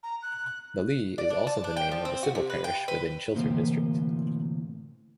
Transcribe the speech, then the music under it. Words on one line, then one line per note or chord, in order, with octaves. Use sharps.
The Lee is also the name of a civil parish within Chiltern District.
A#5
F#6
D5
D4
A5
D4
G5
F3
C4
F#4
C3
B4
G5
B4
D2 A2 C3 E3 A#3 C5